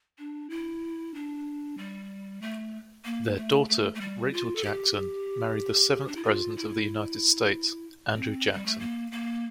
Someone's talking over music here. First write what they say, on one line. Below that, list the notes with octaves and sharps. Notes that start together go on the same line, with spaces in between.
Their daughter, Rachel Jackson, married the seventh President of the United States, Andrew Jackson.
D4
E4
D4
G3
A3
A#3
A3
A3
A3
G3
F4
A4
G4
D4
E4
F4
E4
C4
G3
A3
A#3
A#3